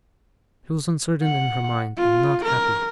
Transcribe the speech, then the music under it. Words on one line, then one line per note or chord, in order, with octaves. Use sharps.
She was uncertain in her mind, and not happy.
F#5
F4
A#4